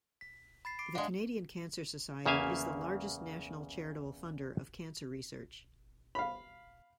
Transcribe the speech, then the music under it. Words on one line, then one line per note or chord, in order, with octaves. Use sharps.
The Canadian Cancer Society is the largest national charitable funder of cancer research.
B6
B5 A6 C7
D6 C7 D7
G#3 D4 F5 F#5
E2 C#3 A#3 E5 F5 G#5
F5 B5